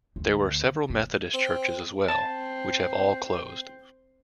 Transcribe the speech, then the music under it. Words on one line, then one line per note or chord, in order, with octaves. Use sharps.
There were several Methodist churches as well, which have all closed.
D2
B3
C4
C4 A5